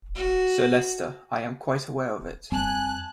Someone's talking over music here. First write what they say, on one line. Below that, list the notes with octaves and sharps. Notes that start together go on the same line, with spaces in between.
Sir Leicester, I am quite aware of it.
F#4
F2 G3 C4 G#5 A5 F#6